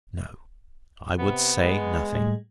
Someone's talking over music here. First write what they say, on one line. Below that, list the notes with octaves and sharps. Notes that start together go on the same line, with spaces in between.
No, I would say nothing.
C3 B3
G#3
A2 G3